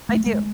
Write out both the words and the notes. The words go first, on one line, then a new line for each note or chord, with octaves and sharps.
I do.
A3
G#3